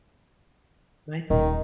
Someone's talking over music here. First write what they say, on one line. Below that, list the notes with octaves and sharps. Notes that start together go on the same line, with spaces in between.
my thing.
D#1 D#3